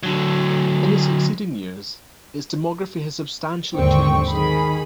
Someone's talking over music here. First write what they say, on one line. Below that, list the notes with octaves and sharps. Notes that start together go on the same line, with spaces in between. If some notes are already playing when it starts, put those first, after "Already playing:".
In the succeeding years, its demography has substantially changed.
D3 F#3
D#2 G#2 D3 C4 G5 C#6
D#3 G#4 B5